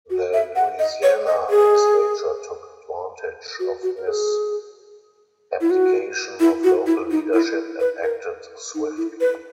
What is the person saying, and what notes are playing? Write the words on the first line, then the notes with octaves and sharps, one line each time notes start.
The Louisiana Legislature took advantage of this abdication of local leadership and acted swiftly.
F#4
E5
F#5
D#5
C#5
D#5
G#4
F#4
F#4
A#4
G#4
E4
F#4
E4
F#4
E4
D#4
E4
B4
A#4
D#4
E4
B4